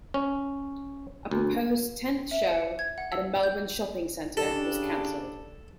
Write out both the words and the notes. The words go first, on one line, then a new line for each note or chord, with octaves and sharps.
A proposed tenth show at a Melbourne shopping centre was cancelled.
C#4
D2
E5
C#7
G#6
F#5
E6
G6
C#3 D4 G4 A4